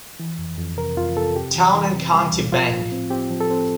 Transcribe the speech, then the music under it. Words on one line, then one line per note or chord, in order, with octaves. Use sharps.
Town and County Bank!
E3
F2
F2
C3 A#4
F2 F4
C3 A4
C3 G4
E3
E3
C3
G3
D2
F3 F4
A2
C4
C4 G4
F3
A4
C4